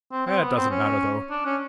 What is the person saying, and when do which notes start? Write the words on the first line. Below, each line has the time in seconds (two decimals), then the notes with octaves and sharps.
It doesn't matter, though.
0.12 C4
0.26 C4
0.42 B3
0.56 C4
0.71 C#4
1.31 D4
1.46 C#4